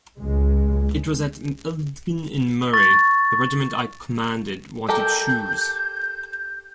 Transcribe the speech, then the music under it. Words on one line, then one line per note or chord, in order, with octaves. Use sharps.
It was at Elgin in Murray, the Regiment I commanded wanted shoes.
C#2 G#3
C#6 A6
G4 A4 A#4 G6